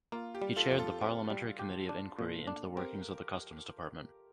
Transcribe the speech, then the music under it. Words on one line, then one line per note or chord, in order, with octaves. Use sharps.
He chaired the Parliamentary Committee of Inquiry into the workings of the Customs Department.
A#3 F4
G4
G3
F4 A4
F2
F4 A4
C4
G3
G4
D4
A#2
D4
C4 G4 A#4